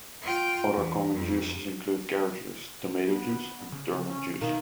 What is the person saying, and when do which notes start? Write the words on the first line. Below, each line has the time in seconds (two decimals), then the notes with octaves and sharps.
Other common juices include carrot juice, tomato juice, and turnip juice.
0.22 F4 G5
0.74 E2
1.14 F2
3.04 B3
3.72 C#3
4.05 C#4
4.41 B2 D#3 F5